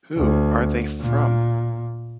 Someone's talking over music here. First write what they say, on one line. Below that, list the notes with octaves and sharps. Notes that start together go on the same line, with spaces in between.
Who are they from?
D2
A#2